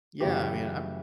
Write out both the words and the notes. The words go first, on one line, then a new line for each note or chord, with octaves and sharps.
Yeah, I mean, I'm
F#2 C#3 E3 A3 E4 G4